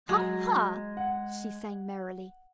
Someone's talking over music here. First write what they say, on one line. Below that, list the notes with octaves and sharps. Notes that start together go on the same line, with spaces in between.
"Ha, ha!" she sang merrily.
F#3 G#3
F#5